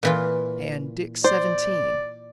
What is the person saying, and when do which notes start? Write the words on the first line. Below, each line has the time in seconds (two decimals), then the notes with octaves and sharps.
And--Dick's seventeen!
0.03 A#2 E3 F4
1.24 C5 D5